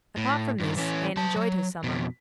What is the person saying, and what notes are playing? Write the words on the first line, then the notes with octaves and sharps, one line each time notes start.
Apart from this, Anne enjoyed her summer.
A2
G2 D#3
E3 C#4
F#3 A5
F#3
F2 B2